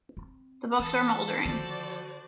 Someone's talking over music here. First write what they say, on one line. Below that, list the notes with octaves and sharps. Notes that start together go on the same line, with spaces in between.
The books were mouldering.
C4
E3 A4
D3 D#3 F3 F#4 C5 D5